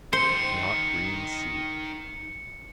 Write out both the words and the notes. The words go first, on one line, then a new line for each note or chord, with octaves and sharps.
The snotgreen sea.
D#3 C5 C6 C#7